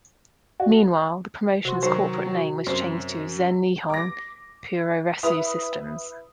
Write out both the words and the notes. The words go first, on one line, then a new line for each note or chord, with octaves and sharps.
Meanwhile, the promotion's corporate name was changed to "Zen Nihon Puroresu Systems".
F#4
C3 F#4 C6
D#3 F#3 C5 C#6
F#2 C4 C5
D6 A#6
E4 B4 D#6 F7